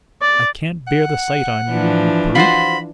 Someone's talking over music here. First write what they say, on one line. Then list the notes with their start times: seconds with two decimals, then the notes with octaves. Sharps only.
I can't bear the sight on you, you brute.'
0.22 D5
0.87 F#5
1.70 E3 F3 D4
2.35 F4 F#4 C5 B5